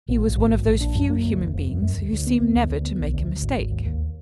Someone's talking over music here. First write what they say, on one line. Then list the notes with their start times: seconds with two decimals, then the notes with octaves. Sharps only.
He was one of those few human beings who seem never to make a mistake.
0.08 A#1
0.22 G#1
0.37 G#1
0.51 A#1
0.66 A#1
0.81 D4
0.95 F#2
1.10 A#3
1.24 D2
1.39 F1
1.54 F1
1.68 F#2
1.82 F#2
1.97 D2
2.12 D2
2.27 B3
2.40 D2
2.55 D2
2.70 D2
2.84 B3
2.99 B1
3.14 D2
3.27 D2
3.42 G#1
3.57 G#1
3.71 D#2
3.86 D#2